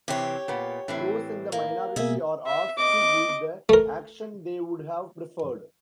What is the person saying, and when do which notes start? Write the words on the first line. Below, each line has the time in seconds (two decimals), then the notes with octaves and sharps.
Those in the minority are asked to give the action they would have preferred.
0.08 C3 E3 C4 G4 C#5
0.48 A#2 B3
0.88 A2 E3 C4
1.52 A#3
1.96 B2 A#3 G#4 E5
2.46 E5
2.78 D#5 D6
3.69 A3 A#4